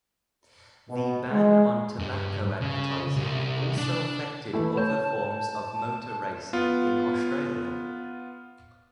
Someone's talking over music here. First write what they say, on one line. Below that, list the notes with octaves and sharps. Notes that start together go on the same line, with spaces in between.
The ban on tobacco advertising also affected other forms of motor racing in Australia.
B2
G#3
G2
C#3
C2
D4
E3 A3 E4
C#5 A5 G6
B3 F4